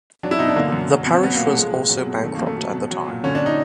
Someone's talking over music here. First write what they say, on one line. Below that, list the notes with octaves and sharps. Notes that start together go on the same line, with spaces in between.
The parish was also bankrupt at the time.
F#3 D4
E4
B2 D#4
D4
D3 A#3
F#2
F#3
B2
C4
F#3 B3
A#3
A#2
A3
F3 G#3
A#2
F#3
B2
D#3 A3
A#3
F#2
A3
F#3
B2
F#3
A#2
D3 C#4
D4
D#4